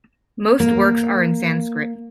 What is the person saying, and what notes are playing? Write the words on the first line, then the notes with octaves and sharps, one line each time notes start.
Most works are in Sanskrit.
A#3